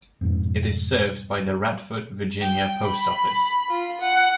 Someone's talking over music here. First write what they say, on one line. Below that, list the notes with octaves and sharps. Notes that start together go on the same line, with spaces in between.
It is served by the Radford, Virginia post office.
F2 G#2 B2
G5
B5
F4
F#5